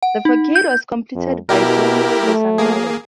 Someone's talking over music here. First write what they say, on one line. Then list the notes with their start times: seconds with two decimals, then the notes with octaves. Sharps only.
The facade was completed by Giuliano da Sangallo.
0.03 F#5
0.25 D#4
0.56 G6
1.16 F2
1.49 B2 E4 G4 A#4
2.24 A3
2.58 A#3 G#4